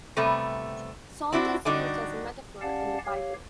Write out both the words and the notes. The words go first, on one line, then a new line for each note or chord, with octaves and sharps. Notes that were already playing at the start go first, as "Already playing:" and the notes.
Salt is used as a metaphor in the Bible.
C3 G3 A3 B3
C4 D4 E4 F#4
D3 G3 D4 D#4 F#4
C#4 G4 D5 F5 F#5 A5
G4 C#5 F5